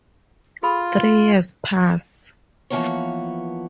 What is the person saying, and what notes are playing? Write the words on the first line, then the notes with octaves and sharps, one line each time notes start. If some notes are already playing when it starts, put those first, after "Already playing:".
Three years pass.
F4 G#4 A4 B5
E3 F3 A#3 B3 C#5